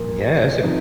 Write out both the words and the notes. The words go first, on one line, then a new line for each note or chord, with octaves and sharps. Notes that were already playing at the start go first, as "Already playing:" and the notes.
Yes, and
Already playing: A#2 F3 A#4
F3 C4 D#4